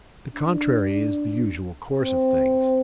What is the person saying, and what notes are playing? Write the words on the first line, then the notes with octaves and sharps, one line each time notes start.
The contrary is the usual course of things.
D4
C4